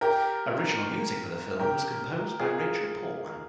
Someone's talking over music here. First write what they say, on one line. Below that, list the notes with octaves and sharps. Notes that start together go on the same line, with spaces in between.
Original music for the film was composed by Rachel Portman.
G4 A#4
G4 A#4
F4 G#4